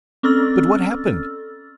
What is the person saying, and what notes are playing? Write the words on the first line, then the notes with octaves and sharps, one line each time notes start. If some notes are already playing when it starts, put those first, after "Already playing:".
'But what happened?
C4 C#4 A4 E6 F6 A6